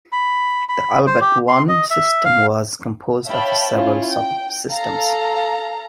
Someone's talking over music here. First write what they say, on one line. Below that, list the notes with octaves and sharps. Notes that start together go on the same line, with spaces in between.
The Albert One system was composed of several subsystems.
B5
B5
C5
G4
C6
D#5
E5
F5
C#5 E5 F5 G5 A5 B5
C#4 E4 F4
G5
A4 F5 A#5